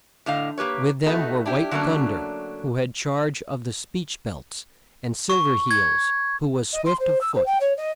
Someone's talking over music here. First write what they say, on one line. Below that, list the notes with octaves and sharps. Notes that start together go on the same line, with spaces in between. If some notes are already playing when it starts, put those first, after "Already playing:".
With them were White Thun-der, who had charge of the "speech-belts," and Sil-ver Heels, who was swift of foot.
A2 D3 D#5 F5
A#3 G4 B4 C#5
A3 B3 D#4 F#4 A4 B4
D4 E4 G4
D3 F#3 A3 A#3 C#4 D4
C#6
G#6
D#5
C6
C5
E6
C5
G5
C#5
D#5